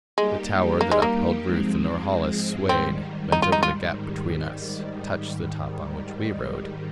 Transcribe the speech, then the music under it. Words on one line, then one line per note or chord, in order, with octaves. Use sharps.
The tower that upheld Ruth and Norhala swayed, bent over the gap between us, touched the top on which we rode.
G3 G#3 A#3 D#4 G4
A#3
G#3
A#3
G#2 F3 G#3 C4
G#2 D#3 G3 C4
D#4
F4
D#4
F4